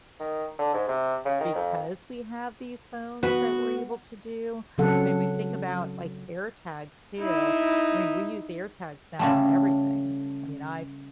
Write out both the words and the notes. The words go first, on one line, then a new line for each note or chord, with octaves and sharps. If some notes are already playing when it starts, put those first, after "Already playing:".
because we have these phones that we're able to do. I mean, we think about, like, AirTags, too. I mean, we use AirTags now on everything. I mean, I
D#3
D3
G#2
C3
C#3
D#3
F2
B3 F#4 B4
C#3 F#3 C4 A4 F#5
D#4 E4
C#3 G3 A3